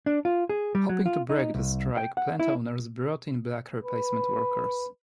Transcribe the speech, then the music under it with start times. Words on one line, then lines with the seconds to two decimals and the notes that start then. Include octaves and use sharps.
Hoping to break the strike plant owners brought in black replacement workers.
0.06 D4
0.25 F4
0.49 G#4
0.75 G3
0.89 F#3
1.06 F4
1.30 D#4
1.55 C2
1.97 G5
2.17 F#5
2.40 E4
3.84 B4